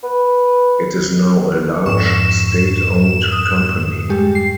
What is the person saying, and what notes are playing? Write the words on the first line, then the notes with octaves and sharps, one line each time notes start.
It is now a large state-owned company.
B4
F2 G#2 A4 C#6 E7
D#6
G3 G#3 G4
C7